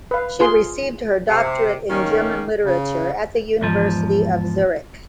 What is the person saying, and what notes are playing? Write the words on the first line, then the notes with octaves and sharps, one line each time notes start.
She received her doctorate in German literature at the University of Zurich.
B4 F5
F4 G#4 C6
C3
D#3 A#3 C#4
C#3
E2 G#2 F3